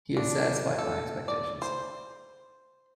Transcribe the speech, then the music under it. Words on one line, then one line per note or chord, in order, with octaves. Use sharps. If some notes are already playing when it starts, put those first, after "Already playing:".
He has satisfied my expectations.
D4
A4
D5
C5